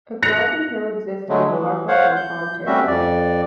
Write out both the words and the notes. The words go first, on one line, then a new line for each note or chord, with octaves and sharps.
A gravity hill exists near the carpark on Palm Terrace.
F#6 A#6 C#7 F7
D3 F#3 G#3 A3
E3
C5 C#5 F5 F#5
G6
G3 A3 C4 C#4 F#4 E5
F2 D5